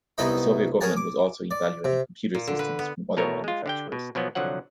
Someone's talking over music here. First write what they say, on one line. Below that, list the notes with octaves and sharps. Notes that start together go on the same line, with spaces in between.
The Soviet government was also evaluating computer systems from other manufacturers.
C2 B3 D#4 E4 D#5 B5
G#4 A#4 C#5 F#5 G#5 A5
D6
D5
C3
A#2
D3
B4
B3
E2 B2 A3 A#4 C#5
G#3 F4
D3 G4 G5
B2
B2 F3 F#3 B3
C2 D3 F3 F#3 F#5